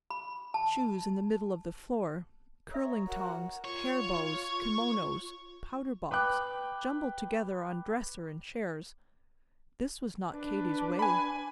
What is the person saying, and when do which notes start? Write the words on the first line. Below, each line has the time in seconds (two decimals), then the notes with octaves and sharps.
Shoes in the middle of the floor, curling tongs, hair bows, kimonos, powder box, jumbled together on dresser and chairs--this was not Katy's way.
0.10 B5
0.54 A5
2.71 A4 C#5 E5 A#5
3.07 F#4 A#4 F#5
3.64 F4 C#5
6.11 B4 G5 D6 F#6
10.34 D4 B4
10.99 G#5 B5